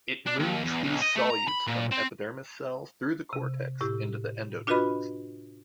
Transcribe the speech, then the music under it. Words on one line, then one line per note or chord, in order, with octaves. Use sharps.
It moves these solutes from epidermis cells through the cortex into the endodermis.
D4
D#2
E2
B1
D#5
A3
A#5
B5
A#2
C4
C3
A2 E4 G4
D4 F4 F#4 B4 D#5 B5